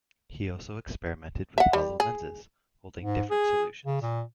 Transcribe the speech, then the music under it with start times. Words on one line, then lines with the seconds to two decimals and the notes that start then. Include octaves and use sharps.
He also experimented with hollow lenses, holding different solutions.
1.58 E5 F#5
1.73 G3
2.00 G#4
3.02 G#2
3.31 G#4
3.86 C#3
4.02 A#2